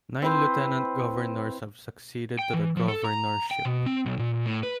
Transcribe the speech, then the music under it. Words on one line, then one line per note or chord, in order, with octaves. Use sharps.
Nine lieutenant governors have succeeded to the governorship.
C4 E4 B4 C5
G5
E3
F3
A4
A#5
G5
B2
C4
B1
A#2
A2
B4